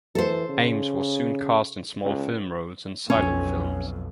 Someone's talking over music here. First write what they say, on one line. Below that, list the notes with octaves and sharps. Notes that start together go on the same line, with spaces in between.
Ames was soon cast in small film roles in silent films.
E3 A4 C5
C#3
C#2
B1 F2 C#4